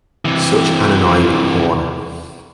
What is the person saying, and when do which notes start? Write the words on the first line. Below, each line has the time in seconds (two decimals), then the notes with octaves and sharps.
Such an annoying horn.
0.25 C3 E3